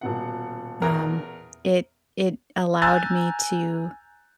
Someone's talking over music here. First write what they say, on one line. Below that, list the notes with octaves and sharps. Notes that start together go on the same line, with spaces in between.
Um, it it allowed me to
D#1 B2 F#5
E2 A#4 A#5
G#5 A#5 E6 F#6 G6 A6